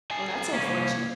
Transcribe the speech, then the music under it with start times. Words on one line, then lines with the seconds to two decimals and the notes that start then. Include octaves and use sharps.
well, that's unfortunate.
0.11 A4 G#5
0.53 C2 A#3 C#4